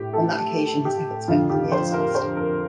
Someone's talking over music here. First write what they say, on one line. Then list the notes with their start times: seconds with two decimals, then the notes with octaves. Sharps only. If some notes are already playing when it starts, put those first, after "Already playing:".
On that occasion his efforts met with a near disaster.
Already playing: A2 G4
0.13 A4
0.85 G4
1.28 F2 D3 F4
1.50 G4
1.72 C5
1.93 A#4
2.15 C5
2.36 A#4